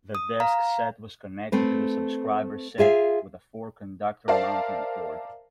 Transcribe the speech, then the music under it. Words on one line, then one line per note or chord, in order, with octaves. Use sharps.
The desk set was connected to the subscriber set with a four-conductor mounting cord.
D#6
F5 A#5
A3 C4 B4
F4 G#4 E5 F5
A#4 C5 D5 E5 F5 A5